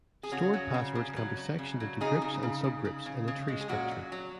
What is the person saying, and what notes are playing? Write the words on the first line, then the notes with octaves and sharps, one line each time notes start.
Stored passwords can be sectioned into groups and subgroups in a tree structure.
G#4
C#3 C#4 F#4
F#3
C#3
C#3
F#3
F#3
C#3
F#3
C#3 D#4 G#4
C#3
C#3
C#3
C#3
C#3
C#3
G#3
G#4
A#2 C#4 F#4
F#3
F#3